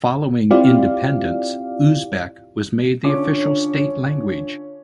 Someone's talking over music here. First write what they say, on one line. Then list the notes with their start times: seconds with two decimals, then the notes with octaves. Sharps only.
Following independence, Uzbek was made the official state language.
0.50 C4 E4 F4 G4 D5 F5
3.03 D3 C#4 D4 F4 C#5 D6